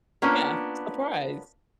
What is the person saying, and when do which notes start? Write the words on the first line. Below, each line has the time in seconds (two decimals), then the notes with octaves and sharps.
Yeah, surprise.
0.22 A#3 B3 C#4 D4 F4 B4